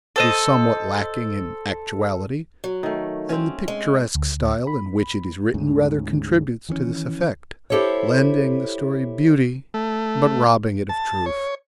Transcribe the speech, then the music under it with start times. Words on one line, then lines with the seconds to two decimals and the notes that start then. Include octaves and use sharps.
It is somewhat lacking in actuality, and the picturesque style in which it is written rather contributes to this effect, lending the story beauty but robbing it of truth.
0.16 A4 C5 D#5
2.64 F#3
2.83 D#3 A3
3.29 C4 C#4
3.68 G#3
4.15 D2
4.67 B5
5.54 D2 G#2 C#3
6.69 D#3 E3 G#3 C#4
7.70 E4 G4 A4 C5 C#5
9.74 A3
10.89 A5
11.26 C#5